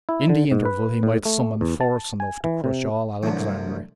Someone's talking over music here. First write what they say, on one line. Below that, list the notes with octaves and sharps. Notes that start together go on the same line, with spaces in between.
In the interval he might summon force enough to crush all Alexandria.
E4
D3
G#2
B4
A2
A3
E2
A5
G#5
E3
C3
C2 F#2 E3 A3 D4